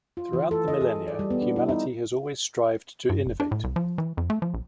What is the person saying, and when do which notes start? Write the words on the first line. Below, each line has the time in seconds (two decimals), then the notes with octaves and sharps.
Throughout the millenia, humanity has always strived to innovate.
0.17 F4
0.33 E3
0.51 A4
0.68 D#5
0.81 G#4
0.95 G#4
1.07 D5
1.19 G3
1.30 B3
1.42 D4
1.56 E4
1.69 D#4
3.10 G2
3.26 F#1
3.40 D4
3.51 A2
3.64 C2
3.76 F3
3.98 E3
4.17 F2
4.30 A3
4.42 F3
4.54 A#1